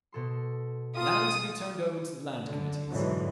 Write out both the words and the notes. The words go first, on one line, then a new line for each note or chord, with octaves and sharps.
Land to be turned over to the Land Committees.
B2 A4 C6
F4 A5 D#6
D3
F2 G#2 B2 D3 E3 F#3